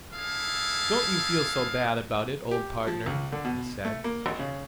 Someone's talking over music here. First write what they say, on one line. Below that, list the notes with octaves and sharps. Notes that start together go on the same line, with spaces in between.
"Don't you feel so bad about it, old partner," he said.
D4 E4 G#4 A4 F5
G4
F3
C#2
D3
B2
A3
A#3
G#1
C#3